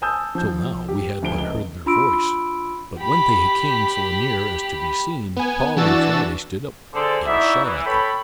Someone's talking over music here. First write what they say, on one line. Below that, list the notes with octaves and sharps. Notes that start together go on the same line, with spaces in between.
Till now, we had but heard their voice, but when they came so near as to be seen, Paul and Friday stood up and shot at them.
G#5 A5 D#6 E6 G6
F3 G6
G4
D2 F3 D7 G7
C#2 G7
D4 F4 B5 C6 E6 D7
G4 B5
B3 G#5
E3 D4 F#4 E6 A6
D3 G#4 A4 C5 D5 C6
D#4 E4 F#4 D5 E5
E3
A4 C#5 G5 B5